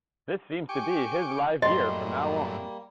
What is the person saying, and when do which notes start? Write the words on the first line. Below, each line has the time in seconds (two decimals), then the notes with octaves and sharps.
This seems to be his live gear from now on.
0.69 G4 G5 G#5 C#6 D6
1.62 F#2 A2 G3 A#3 D#5 C6